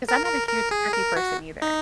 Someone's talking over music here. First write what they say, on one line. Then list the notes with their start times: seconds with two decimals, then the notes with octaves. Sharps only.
'Cause I'm not a huge turkey person either.
0.08 A#4
0.26 A#4
0.48 A#4
0.71 G#4
0.93 A#4
1.16 F#4
1.62 D#4